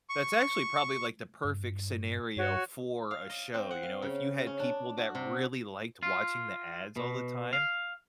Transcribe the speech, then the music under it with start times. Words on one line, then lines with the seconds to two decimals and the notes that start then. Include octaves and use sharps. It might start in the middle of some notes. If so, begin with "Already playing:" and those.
That's actually probably, like, the perfect scenario for a show, you know, if you had people that really liked watching the ads all the time?
0.09 C#6
1.45 G2
2.37 G2 F#4 C#5
3.11 F5
3.29 D#5
3.54 C4
3.71 F#5
3.83 F5
4.02 C#3
4.47 C#4
4.59 D4
4.97 F#4
5.15 C3
6.03 F4
6.96 B2
7.53 F5